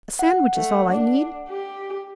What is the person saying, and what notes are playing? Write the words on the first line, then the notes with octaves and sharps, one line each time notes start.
A sandwich is all I need.
F#5
A3
D4
G4